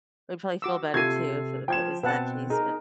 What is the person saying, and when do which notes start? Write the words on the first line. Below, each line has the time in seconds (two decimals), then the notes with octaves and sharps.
that would probably feel better, too, if it if it was that case. But,
0.62 F#4 D6 E6
0.94 C3 F4 G4 A4 G#6 C7 D#7
1.68 F3 G5 G#6 E7
2.03 B2 C4 B4 F#5 A5
2.50 D#4 G#4 A#4